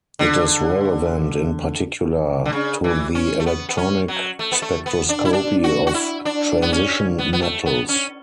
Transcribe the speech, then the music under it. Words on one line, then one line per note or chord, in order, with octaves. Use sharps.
It is relevant, in particular, to the electronic spectroscopy of transition metals.
D3
D3
C#3
E3
C#4
A3
B3
B3
C#4
F#3
A3
B3
A3
B3
D4
E4
D4
F#4
F#4
E4
D4
B3
C#4
B3
B3
A3
B3
C#4